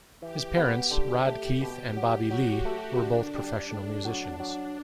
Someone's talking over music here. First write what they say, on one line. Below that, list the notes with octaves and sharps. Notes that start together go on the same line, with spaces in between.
His parents, Rodd Keith and Bobbie Lee, were both professional musicians.
E3 G4
B3
D3
A3
B2
F#3
F#3 F#4
A3
D3 D4
G3
A2
F#3
F#3